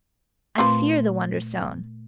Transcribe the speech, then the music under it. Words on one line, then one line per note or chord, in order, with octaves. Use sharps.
I fear the Wonderstone.
A#2 A3 C4 F4 B4